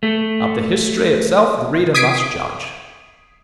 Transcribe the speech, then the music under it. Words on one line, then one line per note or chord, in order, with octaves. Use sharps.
Of the history itself the reader must judge.
A3
D#6 G#6 B6 C7 D7